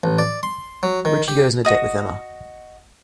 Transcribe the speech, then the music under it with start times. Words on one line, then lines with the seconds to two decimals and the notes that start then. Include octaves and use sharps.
Richie goes on a date with Emma.
0.04 A1
0.19 D5
0.43 C6
0.83 F#3
1.05 D#3
1.28 G4
1.65 F#4 D#5 D#6